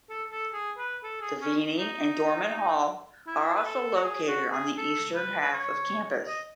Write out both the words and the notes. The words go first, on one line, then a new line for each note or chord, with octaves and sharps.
Deviney and Dorman Hall are also located on the eastern half of campus.
A4
A4
G#4
B4
A4
G#4
C#4
D#4
E4
B4
A4
F#4
G#4
G#4
F#4
G#4
A4
B4
B4
C#5
D#5